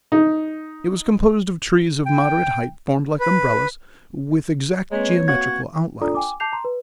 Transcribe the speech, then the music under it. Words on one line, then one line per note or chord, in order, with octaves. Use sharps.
It was composed of trees of moderate height, formed like umbrellas, with exact geometrical outlines.
D#4
G5
B4
G#3 A#3 C4 B4 C#5
F#4 F5 G#6
D4 F4 A4 D5 A#5 D#6
G5 G#5 D6
A5 D6 G6 C7 F7
A#5 C6
B4